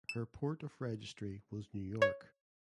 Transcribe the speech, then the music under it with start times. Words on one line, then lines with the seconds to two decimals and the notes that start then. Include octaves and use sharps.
Her port of registry was New York.
0.09 E7
2.02 C#5